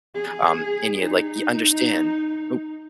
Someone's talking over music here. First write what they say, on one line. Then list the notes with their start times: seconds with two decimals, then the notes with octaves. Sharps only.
um, and you, like you understand. O
0.15 G#4
0.98 D#4